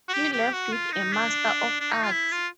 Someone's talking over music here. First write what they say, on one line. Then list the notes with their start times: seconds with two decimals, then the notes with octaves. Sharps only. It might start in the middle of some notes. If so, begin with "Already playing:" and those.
He left with a master of arts.
0.09 F#4
0.13 G4
0.33 G4
0.53 F#4
0.72 F4
0.92 D#4
1.13 D4
1.80 D4
1.92 D#4
2.03 F4
2.11 E4
2.32 F4